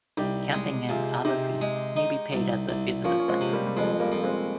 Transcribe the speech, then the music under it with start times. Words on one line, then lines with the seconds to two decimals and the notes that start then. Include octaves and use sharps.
Camping and other fees may be paid at the visitor centre.
0.17 C2 D#4 G4
0.54 G#3
0.89 C3 F4 G#4
1.25 C3 D#4 G4
1.61 G#3
1.96 D#4
2.32 C2
2.69 C2
3.04 F3 A#3 C#4
3.19 C#4
3.28 G#3 C4
3.41 C3
3.53 G3 A#3
3.66 G3
3.76 F2 F3 G#3
4.00 G3 A#3
4.12 F2
4.24 G#3 C4